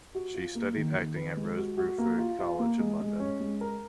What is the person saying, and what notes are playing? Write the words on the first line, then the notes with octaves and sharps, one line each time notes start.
She studied acting at Rose Bruford College in London.
F#4
F4
A#3
D#3
D#3
B4
G#3
F#4
F#4
A#3
F4
F4
A#3
G#3
G#3
C#4
G#3
A#4